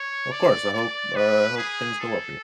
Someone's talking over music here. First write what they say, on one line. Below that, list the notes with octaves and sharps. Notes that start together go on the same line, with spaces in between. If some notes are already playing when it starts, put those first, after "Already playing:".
Well, of course, I hope uh, I hope things go well for you.
Already playing: C#5
D5
D5
B4
G#4
A4